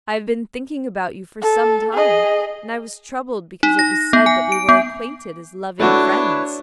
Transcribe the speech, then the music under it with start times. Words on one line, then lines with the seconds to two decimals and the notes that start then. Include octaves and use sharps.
I have been thinking about you for some time, and I was troubled because it was said that we were acquainted as loving friends.
1.42 A4
1.94 G#4 D#5
3.63 D#4
3.79 A#6
4.13 B3
4.26 G#5
4.52 D7
4.69 B3
5.80 A3 D4 E4 F#4 B4 C#5